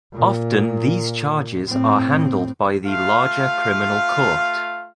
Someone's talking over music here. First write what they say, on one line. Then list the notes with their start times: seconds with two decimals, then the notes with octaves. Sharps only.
Often these charges are handled by the larger criminal court.
0.14 A#2
1.68 A2 C4
2.85 A3 F4 F5